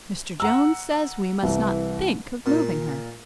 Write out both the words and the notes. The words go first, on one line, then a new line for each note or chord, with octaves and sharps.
Mr. Jones says we must not think of moving her.
F#5 A#5 E6
C2 E3
A#2